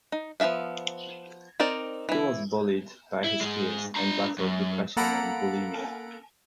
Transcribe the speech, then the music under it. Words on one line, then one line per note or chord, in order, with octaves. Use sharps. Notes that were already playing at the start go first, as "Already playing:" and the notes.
He was bullied by his peers and battled depression and bulimia.
D#4
F3 B3 F#4 E5 F5
C4 D#4 A#4 D5
E3 E4
E4
G#2 G#3
D4 A#5
F#2
A#3 A4 F#5 A#5 B5 D7